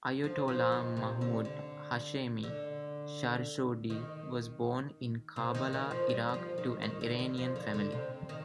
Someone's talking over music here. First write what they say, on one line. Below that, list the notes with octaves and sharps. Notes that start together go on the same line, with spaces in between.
Ayatollah Mahmoud Hashemi Shahroudi was born in Karbala, Iraq to an Iranian family.
F3
F3
D#3
C3
D3
D3
D3
D#3
C3
D#3
D#3
F3
G3
D#3
F3
D#3
D#3
D3
D#3
F3
D3
D3
C3
D#3